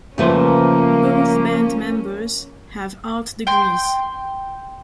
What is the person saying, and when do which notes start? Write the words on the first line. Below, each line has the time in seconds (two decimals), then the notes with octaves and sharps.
Both band members have art degrees.
0.18 C#3 F3 A3 A#3 C#4 B4 C5
3.47 G5 C6